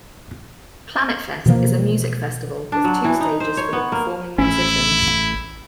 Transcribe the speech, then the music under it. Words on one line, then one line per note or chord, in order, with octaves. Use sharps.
Planetfest is a music festival with two stages for the performing musicians.
B2 E3 F3 A#3
D4
F#3
E3
D#4
C5
C#5
B3
A#3
A1 C#4 E4